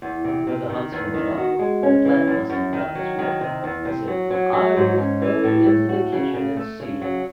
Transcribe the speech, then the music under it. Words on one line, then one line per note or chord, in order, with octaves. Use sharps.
But the Huntsman thought: 'The plant must have done its work,' and said: 'I will go into the kitchen and see.'
E2
C3
C3
D#3
E2
D#3
F#4
G#3
C#4
E3
F#2
F#2
D#3
F#3
D#3
C3
E2
C3
F#3
F#3
F#3
G#2
C#4
E3
A2
A2
F#4
C#3
C#3
A3
C#3
F#3